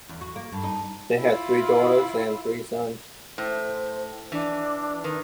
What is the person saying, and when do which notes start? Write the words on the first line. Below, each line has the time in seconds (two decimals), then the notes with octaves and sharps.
They had three daughters and three sons.
0.09 E2
0.21 F#4
0.36 A#3
0.52 G2
0.64 D#4
1.19 E4 F4
3.38 A2 C5
4.32 E3 D4
5.04 D#3 B4